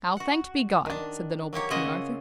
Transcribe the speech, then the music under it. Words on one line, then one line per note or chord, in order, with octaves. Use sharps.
NOW thanked be God, said the noble King Arthur.
F#4 F#5
D#3 D4
F#3 A#3 G4 C#5
C#3 F4 D#5 E5 F#5